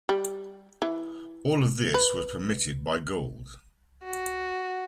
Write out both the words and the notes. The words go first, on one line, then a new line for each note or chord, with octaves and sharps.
All of this was permitted by Gould.
G3
E3
B4
F#4